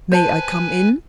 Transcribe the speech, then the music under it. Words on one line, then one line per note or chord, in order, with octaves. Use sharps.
"May I come in?"
B4 C5 G#5 A5